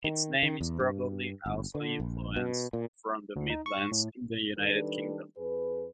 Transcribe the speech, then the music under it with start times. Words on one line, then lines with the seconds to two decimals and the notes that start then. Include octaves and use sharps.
Its name is probably also influenced from the Midlands in the United Kingdom.
0.04 D#3
0.43 D#3
0.61 E2
0.80 G2
1.46 G1
1.75 D3
2.00 A#1
2.36 B2
2.73 A#2
3.36 D2
3.50 D#4
3.66 C#6
3.92 A2
4.58 D#3 G3 D4 A4 B4
5.38 F2 G#4 B4